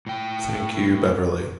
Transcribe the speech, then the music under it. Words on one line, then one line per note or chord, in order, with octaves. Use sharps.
Thank You Beverley.
A2 G5